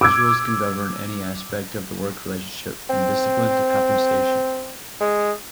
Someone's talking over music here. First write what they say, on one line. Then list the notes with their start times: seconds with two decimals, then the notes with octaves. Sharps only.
These rules can govern any aspect of the work relationship from discipline to compensation.
0.01 D6 E6 G#6
2.90 C4
5.01 G#3